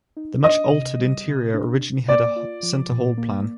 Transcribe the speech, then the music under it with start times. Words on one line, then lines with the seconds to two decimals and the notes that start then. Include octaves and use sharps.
The much-altered interior originally had a centre hall plan.
0.17 D#4
0.44 D4 D#5
0.71 C3
0.99 G3
1.27 C3
1.54 D4
1.82 C3
2.08 A#3 D5
2.36 F4
2.63 F3
2.91 A#2
3.18 A#3